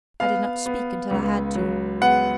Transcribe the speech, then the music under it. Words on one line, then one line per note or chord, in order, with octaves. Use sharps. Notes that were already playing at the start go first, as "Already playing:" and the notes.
I did not speak until I had to.
B3 F5
B3
C#2
F#3
B3 F#5